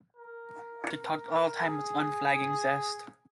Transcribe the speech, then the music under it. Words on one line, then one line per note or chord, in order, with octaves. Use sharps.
They talked all the time with unflagging zest.
A#4
G#4